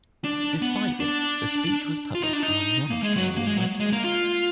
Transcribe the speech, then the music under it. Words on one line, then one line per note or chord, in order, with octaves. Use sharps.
Despite this, the speech was published on a non-Australian website.
D4
B3
D4
F4
D#4
D4
D#4
A#3
G#3
F#3
A#3
G#3
F#3
G#3
A#3
F4